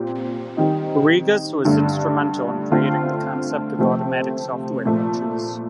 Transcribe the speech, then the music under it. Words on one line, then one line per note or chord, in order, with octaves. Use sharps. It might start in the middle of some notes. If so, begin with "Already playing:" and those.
Rigas was instrumental in creating the concept of automatic software patches.
Already playing: A#2 C4 G4
D#3 G3 C4 D#4
G2 D3 A3 D4
D3 A3 C4 F4
C3 F3 A3 C4
A#2 F3 A3